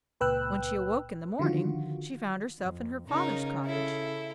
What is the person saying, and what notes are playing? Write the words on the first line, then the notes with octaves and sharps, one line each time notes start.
When she awoke in the morning, she found herself in her father's cottage.
C#2 A#2 B4 G5 E6 F#6
D3 D#3 F3 F4 F#4
F2
C#3 D#4 A#4
E4 A4